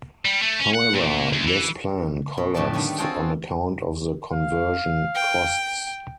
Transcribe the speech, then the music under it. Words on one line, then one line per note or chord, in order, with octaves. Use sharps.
However, this plan collapsed on account of the conversion costs.
G3
A3
C#4
F#5
A#2
D2
E3
B2
F2 A2 C#3 B4 D5 A5
D3 D#3 G3 A3 B3
C4 F4 F#4 G#4 A4 G5
F5
G5